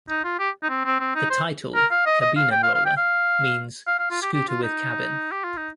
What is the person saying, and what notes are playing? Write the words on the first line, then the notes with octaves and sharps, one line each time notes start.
The title "Kabinenroller" means "scooter with cabin".
D#4
F4
G4
D#4
C4
C4
C4
D#4
C5
A#4
F5
D#5
D#5
F5
G5
F5
F5
G5
F5
F5
F5
F4
G4
G4
F4
D#4
G4
F4
D#4